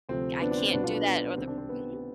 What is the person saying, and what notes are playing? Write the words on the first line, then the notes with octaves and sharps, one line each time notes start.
I I can't do that, or the mhm.
D2 C3 F3 C4
B3 D4
D4
C4
B1 B2 G3 B3 D4
D4 F4
B3 D4
B3 D4
C2 C3 D#3 G3 C4
D4
C4
B3